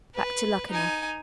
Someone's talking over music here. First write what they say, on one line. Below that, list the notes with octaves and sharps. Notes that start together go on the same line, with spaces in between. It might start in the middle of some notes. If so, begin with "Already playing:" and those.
"Back to Luckenough."
B4
D#4 G#5